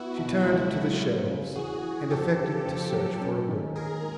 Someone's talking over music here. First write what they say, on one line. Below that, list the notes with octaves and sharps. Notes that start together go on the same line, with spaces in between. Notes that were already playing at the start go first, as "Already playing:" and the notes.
She turned to the shelves, and affected to search for a book.
Already playing: B3 E4 F#4
B2
C#2
F#3
G3
C#3
E2 F#4 G#4
E3
F2 G4 A4
C#3
F2
F#3
C#4
D#3
D#2 G#4 A#4
G#3